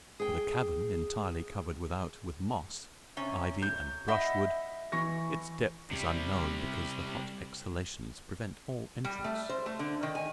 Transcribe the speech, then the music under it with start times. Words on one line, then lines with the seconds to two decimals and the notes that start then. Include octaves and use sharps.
As for the cavern, entirely covered without with moss, ivy, and brushwood, its depth is unknown because the hot exhalations prevent all entrance.
0.20 G#4 G5
3.17 C3 C#4
3.62 G6
4.08 D#5 E5 F#5 B5
4.92 E3 C#6 A#6
5.91 C3 G3
9.05 G3
9.24 A3
9.49 C5
9.66 A3
9.79 D3
10.03 D#3
10.15 G#5